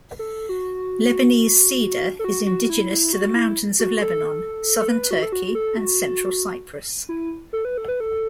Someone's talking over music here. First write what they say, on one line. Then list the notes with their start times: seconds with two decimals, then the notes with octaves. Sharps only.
Lebanese cedar is indigenous to the mountains of Lebanon, southern Turkey, and central Cyprus.
0.19 A4
0.49 F#4
2.19 A4
2.24 F#4
2.46 F#4
2.64 F#4
2.70 E4
2.91 E4
3.13 F#4
3.35 E4
3.79 F#4
4.02 A4
4.81 A4
4.88 B4
5.11 F#4
5.23 A4
5.32 F#4
5.55 A4
5.77 F#4
7.09 E4
7.53 A4
7.65 B4
7.78 A4
7.88 B4
8.00 A4